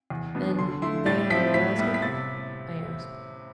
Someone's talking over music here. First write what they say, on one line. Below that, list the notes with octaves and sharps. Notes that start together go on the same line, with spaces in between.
"Then--they aren't in Glasgow?" I asked.
E2
B2 B3 D4
D3 C6
A3 E4 C6
A2 A6
F3 C4 E4 B6
A2 B6
G3 B3 E4
B6
C3 A6